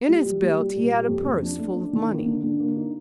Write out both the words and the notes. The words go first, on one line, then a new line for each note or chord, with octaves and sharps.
In his belt he had a purse full of money.
G3
G3
G3
G3
A#2
G4
F2
F2
D4
A3
D4
D#3
A#3
D3
D3
A#3
D#4